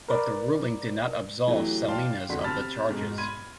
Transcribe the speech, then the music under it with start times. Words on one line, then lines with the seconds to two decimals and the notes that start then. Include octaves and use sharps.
But the ruling did not absolve Salinas of the charges.
0.08 A#4 B4 D5
1.48 E3 F#3 A3 G4
1.88 D5 F5 G5 A5 C6
2.29 F1 E2 D3 F#4 C6 B6
2.44 C3 A5 B5 F6 A6
2.89 G#2 B2
3.18 B5 C6 G#6 D#7